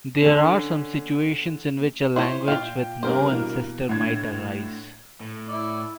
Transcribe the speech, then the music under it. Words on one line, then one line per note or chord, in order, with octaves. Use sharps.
There are some situations in which a language with no ancestor might arise.
D3 C#4
E4 C5 C#5 C6
A#2 F4 F5 G5
G2 C3 A#3 A#4 C5
B2 E3 A#3
A2 D3 G#6
A2
E4 D5